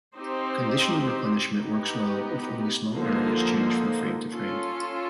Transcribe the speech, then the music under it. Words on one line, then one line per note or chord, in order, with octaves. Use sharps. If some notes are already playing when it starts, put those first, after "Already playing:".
Conditional replenishment works well if only small areas change from frame to frame.
C4 D#4 G4 C5
B3 D#4 G4
D3 F3 A#3 D#4
C#4 F4 A4